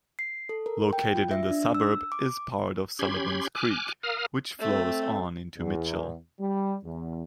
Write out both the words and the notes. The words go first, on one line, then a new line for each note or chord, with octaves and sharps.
Located in the suburb is part of Sullivans Creek, which flows on into Mitchell.
C7
A4
A#4
G5
F4
E5
D4
E6
D6
C#4 G4 B5 C6 G#6
G#5 D6 F6 F#6
A#4 F5 D#6 F6
A3 C4
E2
G3
E2